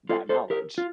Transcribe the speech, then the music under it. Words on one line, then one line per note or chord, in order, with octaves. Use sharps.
that knowledge.
F4 A4
A4 C5
G4 A#4
F4